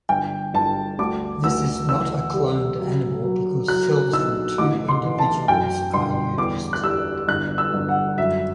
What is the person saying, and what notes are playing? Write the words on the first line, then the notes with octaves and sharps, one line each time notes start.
This is not a cloned animal because cells from two individuals are used.
G1 G5
G1 A5
D2 D6
D2 E6
E3 E6
G3
F#3
F#3
F#3 F#6
B1 E6
A1 D6
C6
E3
A5
F#2 G5
G1 C6
E2 D6
F#6
G3 E6
G1 F#6
E6
G1
F#5
F#2 E5